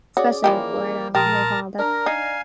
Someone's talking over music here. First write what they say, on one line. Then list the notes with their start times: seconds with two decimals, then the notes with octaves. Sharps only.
Especially in Florida, oh my God, that
0.17 C#4 F#4 G#4 D5
0.44 E3 F3 A#3 G4
1.15 A#1 G4 A#4 A5 A#5 C6 D#6
1.79 D4 A#4 A#5
2.06 D#4 F5 G#5